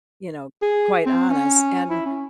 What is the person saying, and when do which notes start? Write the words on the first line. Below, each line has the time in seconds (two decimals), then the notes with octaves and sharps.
you know, quite honest and
0.62 G#4
1.06 C4
1.30 C#4
1.90 E4
2.06 C#4